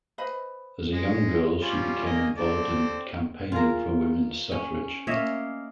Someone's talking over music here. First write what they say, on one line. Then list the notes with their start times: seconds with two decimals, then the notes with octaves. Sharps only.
As a young girl, she became involved in campaigning for women's suffrage.
0.18 B4 C5 D#5 B5
0.93 G#3
1.62 G3 C#4 F4
2.05 A#3 D#5 G#5
2.37 C4 A4 D5
3.52 F4 G#4 A#4
4.52 C#4
5.07 A#3 C#4 C#5 D#5 E5